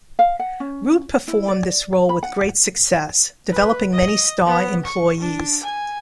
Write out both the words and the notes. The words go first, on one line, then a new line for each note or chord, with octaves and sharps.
Root performed this role with great success, developing many star employees.
F5
F#5
C#4
E4
D5
B5
F#5
B4
D#5
B3
C#6
D4
G#5